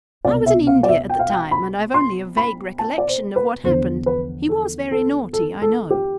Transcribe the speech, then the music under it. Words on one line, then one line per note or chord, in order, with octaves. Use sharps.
"I was in India at the time, and I've only a vague recollection of what happened; he was very naughty, I know."
C2 B2 D5
E5
F5
D5
E5
G5
F5
G5
B5
C6
B5
A5
D5
C5
B4
E2 D3 F3 C5
B4
A4
A4
A4
A4
G4